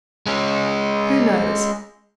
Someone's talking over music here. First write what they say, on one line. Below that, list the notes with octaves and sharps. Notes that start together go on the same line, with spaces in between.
Who knows?
G#3 C#4